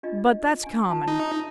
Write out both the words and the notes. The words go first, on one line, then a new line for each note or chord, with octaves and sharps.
'But that's common.
D4 F4 D#5
D4 G#5
F4 A5
D#4
A#5